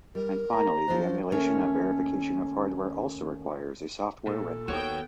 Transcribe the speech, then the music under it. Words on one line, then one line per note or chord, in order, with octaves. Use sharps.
And finally the emulation and verification of hardware also requires a software renderer.
G3 A#4
A#3 A#5
F3 F#3 D4 C5
D#2 A3 C#4 A#4 E5
A#2 A4
D#2 B3 F#4 C#5 G5